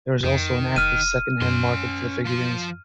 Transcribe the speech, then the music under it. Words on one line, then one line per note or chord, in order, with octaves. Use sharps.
There is also an active second-hand market for the figurines.
F2 D#3
F1 F6 D#7
F#2 C#4 C6
F3 C6